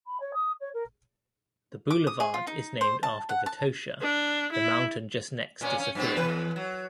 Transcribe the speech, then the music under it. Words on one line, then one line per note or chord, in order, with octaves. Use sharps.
The boulevard is named after Vitosha, the mountain just next to Sofia.
B5
C#5
D#6
C#5
A#4
D6
D#6
G#4
F4
D#4
C5
A5
F#5
A5
D4
E4
A#2 C#4
C#4
G2 B2 C4
E2 B4
F#3